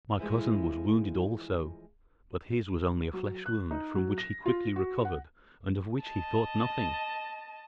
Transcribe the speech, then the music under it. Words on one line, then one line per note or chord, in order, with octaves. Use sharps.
My cousin was wounded also, but his was only a flesh wound from which he quickly recovered and of which he thought nothing.
E3 F3 G#3 A3
F#3
F#6
D#4
F#3
A#6
F4
F#4
F#5
D#5 A5